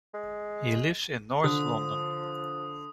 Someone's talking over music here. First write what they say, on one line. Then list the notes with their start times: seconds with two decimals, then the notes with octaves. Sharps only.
He lives in North London.
0.14 G#3
1.44 D3 F3 D#6